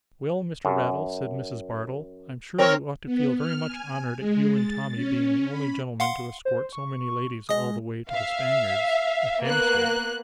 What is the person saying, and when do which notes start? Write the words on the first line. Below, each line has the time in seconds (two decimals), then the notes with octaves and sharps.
'Well, Mr. Raddle,' said Mrs. Bardell; 'I'm sure you ought to feel very much honoured at you and Tommy being the only gentlemen to escort so many ladies all the way to the Spaniards, at Hampstead.
0.65 F#2
2.58 C4 A#4 C#5
3.05 B3
3.36 F6
3.66 G#5
4.18 G#3
4.50 A6
4.95 C#4
5.48 B5
6.00 F5 F#5 C6
6.45 C5
6.73 C#6
7.49 G#3 D#5 D#6
8.10 E5 F5
9.42 A#3 B3 F#6